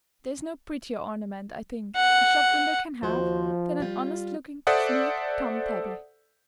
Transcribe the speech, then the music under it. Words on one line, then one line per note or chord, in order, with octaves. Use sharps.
There is no prettier ornament, I think, a shop-window can have, than an honest-looking sleek Tom tabby.
F#5
D#2 F3 F#4 C5
G3 F4
A4 C5 D5 E5 F#5 D#6